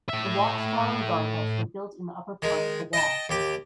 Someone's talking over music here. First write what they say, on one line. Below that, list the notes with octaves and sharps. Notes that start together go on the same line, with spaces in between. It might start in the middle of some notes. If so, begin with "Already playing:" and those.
The watchtower and guard house were built in the upper part of the wall.
A2 E5
D#3 G#3
D#5 G5 A5
D#2 G4